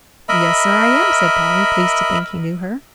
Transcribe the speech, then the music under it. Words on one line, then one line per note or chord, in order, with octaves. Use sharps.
"Yes, sir, I am," said Polly, pleased to think he knew her.
A#4 D#5 E5 B5